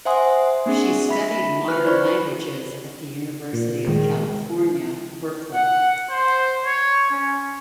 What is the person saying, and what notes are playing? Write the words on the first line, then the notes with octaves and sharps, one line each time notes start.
She studied modern languages at the University of California, Berkeley.
C5 E5 F#5 G#5 C6 D#6
A#3 C4 D4 G#4
E5 B5 B6
B4 F6 F#6
C5 D5 B5 C#6
A#2
D#3 G#3
F#5
C5
C#5
C#4